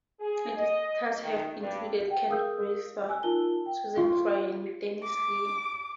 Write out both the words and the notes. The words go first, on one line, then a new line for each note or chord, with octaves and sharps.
Editors have included Kent Brewster, Susan Fry, and Denise Lee.
G#4
D#5
D#3
G2
F#5 G5
G#4 A#4 F5 D#6 E6 G6
G#5 E6 F#6
D#4 F4 A#4 A5 G7
G5
F4
D6